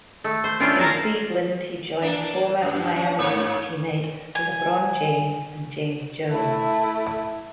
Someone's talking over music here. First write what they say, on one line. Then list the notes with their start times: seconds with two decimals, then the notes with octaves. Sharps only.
In Cleveland, he joined former Miami Heat teammates LeBron James and James Jones.
0.24 A3
0.44 C5
0.60 C#4 D4 E4 F4 C5 G5
0.78 A#4 F5 A5 A#5
2.02 A#3 D4
2.62 F#2
2.96 C#4
3.18 G#2 A#3 C#5
4.35 G#5
6.30 A3 E4